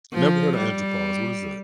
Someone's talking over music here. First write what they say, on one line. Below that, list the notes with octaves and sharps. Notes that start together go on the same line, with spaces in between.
Never heard of andropause, what is that?
F3
G3